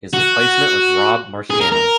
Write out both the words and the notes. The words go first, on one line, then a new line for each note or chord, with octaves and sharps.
His replacement was Rob Marciano.
F#4
G#4
A#4
A#4